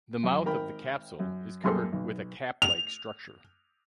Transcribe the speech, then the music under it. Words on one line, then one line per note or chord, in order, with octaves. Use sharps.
The mouth of the capsule is covered with a cap-like structure.
F#2
G#1 A#4 G5 B5
F#2
F#2 G3 A#3 G#4 A4 C6
B1
F7